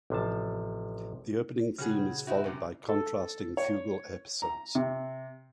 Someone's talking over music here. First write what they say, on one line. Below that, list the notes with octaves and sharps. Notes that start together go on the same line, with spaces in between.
The opening theme is followed by contrasting fugal episodes.
A1 C3 F3 A5
A#2 C#3 G3 F#4 G#4
D#4 E4 F#4
F#2 C3
A4
C#5
A#5
C3